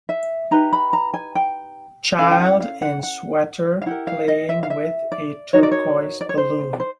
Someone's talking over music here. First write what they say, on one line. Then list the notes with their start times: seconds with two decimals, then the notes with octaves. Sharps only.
Child in sweater playing with a turquoise balloon.
0.09 E5
0.51 D#4 G4 B4 A#5
0.73 B5
0.93 A#5
1.14 G#5
1.35 G5
2.19 C#4 E4 A4 F5
2.31 G5
2.40 F#5
2.60 F5
2.82 F#5
3.03 F#5
3.82 F5
3.86 E4 G4 A#4 F#5
4.07 F5
4.28 D#5
4.49 E5
4.63 F5
4.70 E5
5.12 D5
5.53 D#4 F#4 A#4 C#5
5.63 D5
5.72 C#5
6.21 D5
6.29 C#5
6.38 C5
6.80 C5